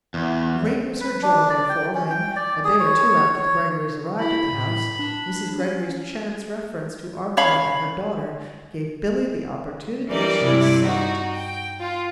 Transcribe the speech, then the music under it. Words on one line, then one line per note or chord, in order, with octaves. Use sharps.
Great was her joy, therefore, when, a day or two after the Greggorys arrived at the house, Mrs. Greggory's chance reference to Arkwright and her daughter gave Billy the opportunity she sought.
E2
B4
D4
D5
G5
C#4
G5
D5
G#4
C#5
C#5
E4 B5
A2
D4
C#4
C#4 C#5 F5 B5
E3 F#3 G3 A#4 D5 D#5
G2 C3 E4 D5
D#4 F#4
G5
F4